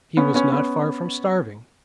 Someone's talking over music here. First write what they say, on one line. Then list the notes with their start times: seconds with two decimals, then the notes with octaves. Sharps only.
He was not far from starving.
0.17 B3 C#4
0.34 B3 C#4
0.52 B3 C#4